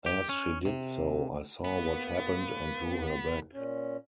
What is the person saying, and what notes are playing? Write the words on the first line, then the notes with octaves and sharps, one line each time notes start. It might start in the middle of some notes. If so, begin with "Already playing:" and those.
As she did so, I saw what happened and drew her back.
G4
C#4
C3
A#3 B3
A#2 C#4